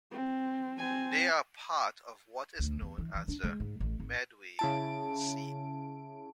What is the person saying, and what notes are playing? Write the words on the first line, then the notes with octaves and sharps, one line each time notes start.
They are part of what is known as the "Medway scene".
C4
C4 G#5
D2
E2
E3
E3
D4
G#3
G#2
A1
G#1
C#3 E4 A5 D7